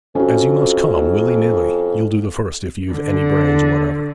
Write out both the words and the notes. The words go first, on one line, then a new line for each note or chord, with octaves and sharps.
As you must come, willy-nilly, you'll do the first if you've any brains whatever.'
F2 C#4 F#4
D3